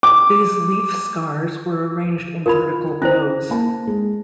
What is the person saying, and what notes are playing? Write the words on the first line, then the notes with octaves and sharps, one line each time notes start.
These leaf scars were arranged in vertical rows.
D6
F4 A#4 B5 G#6
C#4 E4 C5 A#6
A#3 A5
G#3